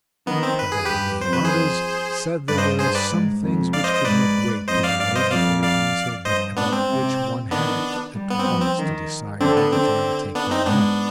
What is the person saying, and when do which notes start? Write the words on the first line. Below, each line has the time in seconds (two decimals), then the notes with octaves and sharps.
But then again others said there were some things which could not wait to be laid before a Council, but about which one had at once to decide whether to undertake them or not.
0.27 D#3 B3
0.43 C4
0.59 B4
0.72 G#4
0.85 G2 G4 B4
1.21 F2 C5
1.33 B4
1.45 G#4 C5
2.48 G2 B4 D5
2.58 C5 D#5
2.79 G2 G#4 C5
2.95 B4 D5
3.11 G#2
3.42 F2
3.73 D5 F5
3.84 C5 D#5
3.94 C5 D#5
4.05 G#2 B4 D5
4.68 F2 C5 D#5
4.83 D5 F5
4.99 G2 D5 F5
5.16 C5 D#5
5.31 F2 D5 F5
5.63 D5 F5
6.25 G2 C5 D#5
6.57 G#2 B3 D4
6.73 C4
6.89 C3
7.51 D#3 B3 D4
8.15 G3
8.30 B3
8.39 C4
8.46 F3 B3
8.62 C4
8.78 D#3
9.40 D3 C4
9.57 B3
9.72 D3 C4
10.35 B3 D4
10.51 C4 D#4
10.66 G#2 B3 D4